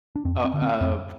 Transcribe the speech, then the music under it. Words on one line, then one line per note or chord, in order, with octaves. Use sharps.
Oh, uh,
D4
F2 C4
C4
D3
C4
F2 C4